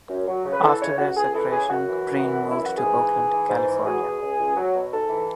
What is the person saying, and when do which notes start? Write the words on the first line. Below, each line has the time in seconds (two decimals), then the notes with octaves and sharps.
After their separation, Breen moved to Oakland, California.
0.09 F#2
0.28 F#3
0.45 C#3
0.53 B4
0.63 E3 A4
0.80 C#3 C#5
0.98 C#2 F#4
1.16 C#2 G#4
1.34 E3 A4
1.52 C#3 G#4
1.70 F#2 F#4
1.89 E3
2.06 F#2
2.25 E3
2.42 F#2
2.51 E4
2.60 E3
2.65 F#4
2.77 G#2 G#4
2.96 E3
3.13 G#2
3.31 E3
3.49 G#2
3.67 E3
3.85 F#3 G#4
4.02 B2
4.21 C#2
4.39 C#2
4.57 F#3
4.75 B2
4.92 G#2 A4
5.10 E3